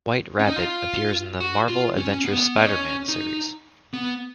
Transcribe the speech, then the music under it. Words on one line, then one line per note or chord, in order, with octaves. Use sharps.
White Rabbit appears in the "Marvel Adventures Spider-Man" series.
C#4
D#4
F4
F#4
F4
C#4
B3
D#4
C#4
D#4
B3